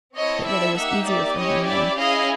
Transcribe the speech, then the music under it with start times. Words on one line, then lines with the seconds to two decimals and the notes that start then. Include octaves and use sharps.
But yet it was easier for him then.
0.16 C4 E4 A4 C#5 D#5
0.46 D5 E5
0.76 A#3 D#4 G4 E5 F#5
1.07 D5 E5
1.37 C#4 E4 G4 C#5 D#5
1.68 D5 E5
1.98 C#4 E4 G#4 D#5 F5